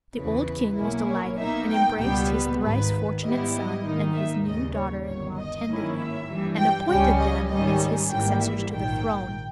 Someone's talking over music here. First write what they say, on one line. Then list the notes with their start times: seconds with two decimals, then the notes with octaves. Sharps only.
The old King was delighted, and embraced his thrice fortunate son and his new daughter-in-law tenderly, and appointed them as his successors to the throne.
0.16 E2 C#3 E3 B4
0.77 B1 B2 A#3 C#4 E4
1.09 C#5
1.38 B1 B2 A#3 D#4 E5
1.69 G5
2.00 C#2 B2 G3 B3 G5
2.30 B4
2.60 G#1 G#2 D#3 B4
3.22 G#2 G3 B3 E4 D#5
3.53 D#5
3.83 G#1 G#2 D#3 A#3 D#4
4.14 E5
4.44 D#2 C#3 G3 D#5
4.75 C#5
5.05 G1 G2 D#3 C#5
5.36 D#5
5.67 G#2 D#3 A#3 C#4 E4
5.97 E5
6.28 G2 E3 G3
6.59 G5
6.88 C#2 C#3 G3 C#4 G5
7.19 D#5
7.50 G#2 D#3 G3 C#4 D#5
8.10 G#1 G#2 E3 G3 A#3 G5
8.42 E5
8.72 A#1 G#2 D#3 G5